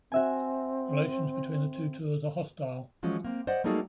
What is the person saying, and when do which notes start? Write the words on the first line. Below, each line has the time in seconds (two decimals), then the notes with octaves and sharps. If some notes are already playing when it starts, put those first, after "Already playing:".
Relations between the two tours are hostile.
0.12 C4 F#4 E5 G#5
3.03 E3 F3 G#3 C#4 F#4
3.24 A#3 C4
3.47 C5 D5 D#5 F#5
3.64 G3 A3 A#3 D#4 F#4 G#4